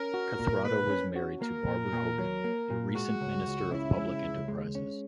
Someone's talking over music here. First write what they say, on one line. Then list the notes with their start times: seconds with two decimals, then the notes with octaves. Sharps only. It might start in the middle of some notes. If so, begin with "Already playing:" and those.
Kathrada was married to Barbara Hogan, a recent Minister of Public Enterprises.
Already playing: C#4 A#4
0.14 F#4
0.39 A#2
0.65 A#3 B4
0.90 C#4
1.16 F#4
1.41 A#3 A#4
1.68 A#2
1.92 A#2
2.19 F#3
2.44 A#3
2.70 A#2
2.95 G#3 F#4
3.21 C#2
3.47 C#2
3.72 C#3 E4
3.97 G#3
4.23 C#2
4.48 G#3
4.75 C#4